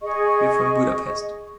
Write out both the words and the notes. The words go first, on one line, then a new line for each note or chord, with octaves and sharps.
We’re from Budapest.
G#4 D#5 C#6